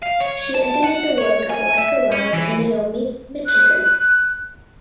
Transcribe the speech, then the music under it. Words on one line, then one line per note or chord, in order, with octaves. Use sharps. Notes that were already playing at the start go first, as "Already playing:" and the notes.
She edited the work of Oscar Wilde and Naomi Mitchison.
F5
C#5
A5
F#5
C#5
G#5
E5
C#4
E3
F#6